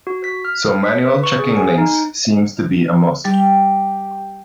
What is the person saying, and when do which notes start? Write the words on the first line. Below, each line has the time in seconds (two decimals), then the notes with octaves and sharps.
So manual checking links seems to be a must.
0.07 F#4
0.24 B6
0.45 F6
0.84 B6
1.04 B4
1.23 C#6
1.39 G#4
1.57 G#5
1.78 D#4
3.24 G3 G4 A6